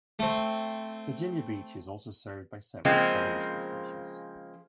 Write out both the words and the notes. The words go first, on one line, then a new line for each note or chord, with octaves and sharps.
Virginia Beach is also served by several television stations.
A3 C4
C#3 F3 G#3 A#3 C4